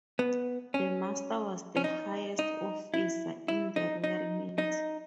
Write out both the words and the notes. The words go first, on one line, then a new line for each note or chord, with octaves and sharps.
The Master was the highest officer in the Royal Mint.
B3
C#4
C#4
D#4
D#4
E4
E4
D#4
D#4
D#4